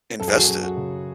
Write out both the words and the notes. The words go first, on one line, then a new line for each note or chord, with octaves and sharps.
Invest it.
F#2 A4
G#4
F#4
F#2 G#4
F#4
C#3